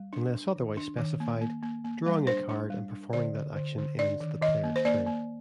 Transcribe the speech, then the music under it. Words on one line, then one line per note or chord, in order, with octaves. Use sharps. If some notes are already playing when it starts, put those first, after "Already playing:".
Unless otherwise specified, drawing a card and performing that action ends the player's turn.
Already playing: G3
D4
D4
D#3
D4
D#3
A#3
A#3
A#3
A#3
G3
D4 C5
D4
G3
D4
D3 D5
D3
D3
D3
D4 D5
D#3
D#3 D#5
A#3
C5
A#3 D5
A#3